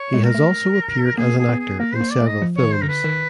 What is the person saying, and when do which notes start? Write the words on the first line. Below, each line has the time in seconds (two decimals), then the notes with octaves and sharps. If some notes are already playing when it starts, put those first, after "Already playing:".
He has also appeared as an actor in several films.
Already playing: C#5
0.14 G#3
0.24 A#4
0.35 A3
1.18 A#3 G#4
1.38 G#4
1.49 B3
1.59 G#4
1.79 A#3 A#4
1.95 C5
2.01 A#3
2.11 D5
2.21 A3
2.27 D#5
2.42 F3
2.57 C#5
2.63 D#3
2.73 C5
2.82 D3 A#4
2.89 B4
3.04 D#3